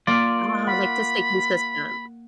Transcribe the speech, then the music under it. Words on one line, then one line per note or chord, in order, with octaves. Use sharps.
Ah, like, to stay consistent.
A#3 F4 D5 D6 F6
F#5 B5